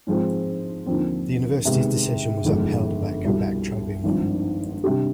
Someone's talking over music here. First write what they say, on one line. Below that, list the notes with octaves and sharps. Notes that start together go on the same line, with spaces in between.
The university's decision was upheld by a Quebec tribunal.
G#2 F3 G#3 C4
D#2 D3 F3 C4
C3 D#3 G#3 B3
G1 F2 D#3 G#3
C2 B2 G3
G#1 G2 F3 C4
C3 G3 D4 G4